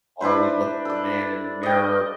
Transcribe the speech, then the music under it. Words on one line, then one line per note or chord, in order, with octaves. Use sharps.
"Always look at the man in the mirror,"
D4 E4 B4 C5
A4 D5
D#5 G5